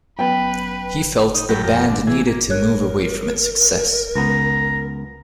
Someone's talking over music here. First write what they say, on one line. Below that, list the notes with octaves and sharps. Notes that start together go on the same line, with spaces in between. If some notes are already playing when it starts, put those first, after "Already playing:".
He felt the band needed to move away from its success.
F#2 B3 B4 G5
D#4
A2 F#3 G4 A#4 B5
F2 G4 A#4
D3
E3 G#4
A#3
A#4 C#5 F#6
C#2 B3 A#5